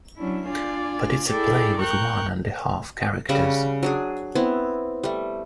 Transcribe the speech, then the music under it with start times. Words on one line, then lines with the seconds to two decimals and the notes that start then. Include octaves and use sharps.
But it's a play with one and a half characters.
0.17 F#3 C#4 D4 E4
0.47 D4 F4 D5 G#5
1.27 E4 G#4 A4 D5 G5
1.79 A#4 G5 A#5 C#6 F#6 G6
3.29 C#3 G3 E5 F#5
3.83 F#3 D4 G#4
4.35 B3 C4 E4
5.03 G3 A3